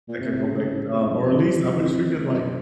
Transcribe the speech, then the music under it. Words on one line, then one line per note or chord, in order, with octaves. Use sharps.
I could go back in time, or at least I wish we could, like
A#2
C3
C3
C#3
C#3
C3
G#2
F#2
F2
F#2